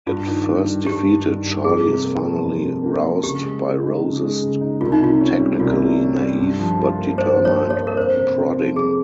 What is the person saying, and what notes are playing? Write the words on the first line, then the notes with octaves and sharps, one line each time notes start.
At first defeated, Charlie is finally roused by Rose's technically naive but determined prodding.
G2 F4
D#3
G2
G3
G2 G4
D#3
G2
G3
F2 G#4
C3
A#3
F3
F2
C3
A#3
F3
C#3 G4
G#3
C#3
D#4
C#3
G#3
C#3
D#4
C2 F4
D#4
C3 F4
C#4
G3
C2 F4
C3
C#4
G3
G2
F3
F4
A#3
G2 C5
F3
C#5
F4
C#5
A#3
A#4
F2 C5
C3
C4
F3
F2 G#4